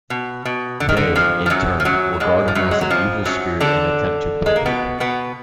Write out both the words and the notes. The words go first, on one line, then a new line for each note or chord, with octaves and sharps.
They, in turn, regard him as an evil spirit and attempt to placate him.
B2
B2
D3
D#3
D3
F2 F3
F3
F#2 F#3
F3
F#2 F#3
G#2 G#3
F3
F#2 F#3
G#3
F#3
F2 F3
F#2 F#3
D3 D4
G#3
A#3
B2 B3
B2 B3